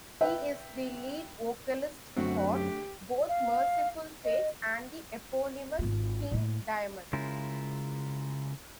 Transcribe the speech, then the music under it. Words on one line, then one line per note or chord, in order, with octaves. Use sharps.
He is the lead vocalist for both Mercyful Fate and the eponymous King Diamond.
B4 E5 G5
F#2 D3 A3 C4 F#4
G4
F5
D#5
G#1 F4
A2 A#3
C#3 G#3 E4 F4 A#4